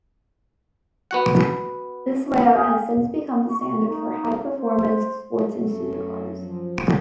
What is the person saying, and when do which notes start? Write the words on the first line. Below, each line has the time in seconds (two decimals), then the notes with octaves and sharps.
This layout has since become the standard for high-performance sports and supercars.
1.11 B3 F#4 F#5
2.55 G#4 F5 G5 G#5
3.51 C#6
3.88 D#4
4.57 C5
5.55 F#2 F#3 A3 A4
6.41 F3